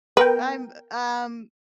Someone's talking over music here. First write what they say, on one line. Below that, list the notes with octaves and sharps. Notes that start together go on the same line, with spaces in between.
I'm, um,
B3 A#4 B4 G5